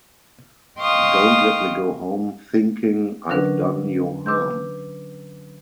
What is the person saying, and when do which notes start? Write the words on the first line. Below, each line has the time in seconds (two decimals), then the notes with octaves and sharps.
Don’t let me go home thinking I’ve done you harm.
0.80 D#5 F5 G5 C6 C#6 D#6
3.30 D3 F#3 C#4 D4 A#4 B4
4.26 B4 D6 E6 G6